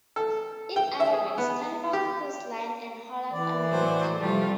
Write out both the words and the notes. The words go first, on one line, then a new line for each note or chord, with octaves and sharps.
In other words, Carnival Cruise Line and Holland America Line.
A4
G5
E5
G#4
B3
G4
E3 D5
A2 F#3 C5
C3 F3 G3 A3 F4